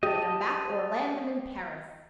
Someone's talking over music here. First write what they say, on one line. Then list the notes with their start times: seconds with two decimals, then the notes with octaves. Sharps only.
Take 'em back, or land them in Paris.
0.03 G4 D#5 A5